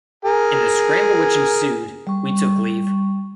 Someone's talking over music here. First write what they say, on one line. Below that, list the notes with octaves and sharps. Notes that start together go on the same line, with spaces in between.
In the scramble which ensued, we took leave.
G#4 A#4
G3 C#6